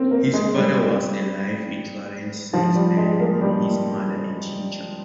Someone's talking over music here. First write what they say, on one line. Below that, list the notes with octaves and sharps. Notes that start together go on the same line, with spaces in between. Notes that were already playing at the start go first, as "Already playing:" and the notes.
His father was a life insurance salesman and his mother a teacher.
Already playing: A#3 C4
A#3
G#3
G3
F3
G3
G#3
A#3
G3